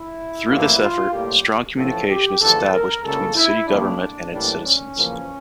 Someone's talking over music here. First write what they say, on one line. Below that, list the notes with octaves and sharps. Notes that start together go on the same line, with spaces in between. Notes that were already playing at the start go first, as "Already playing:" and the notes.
Through this effort, strong communication is established between city government and its citizens.
Already playing: E4
A1 G2 F3 A#3
F4
A2 G3 A#3 G4
A1 A2 F3 A3 A4
G4
E2 D3 F3 A3 A4
A#4
C#2 C#3 G3 A#3 A4
E4
F2 C#3 G3 A#3 D4
A2 E3 G3 A#3 D4
C#4
E2 C#3 F3 A#3